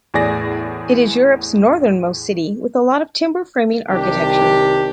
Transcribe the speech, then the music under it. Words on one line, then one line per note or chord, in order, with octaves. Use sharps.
It is Europe's northernmost city with a lot of timber framing architecture.
E2 A2 G#4 D5 G#5 A#6
C2 C3 D#3 D4 G4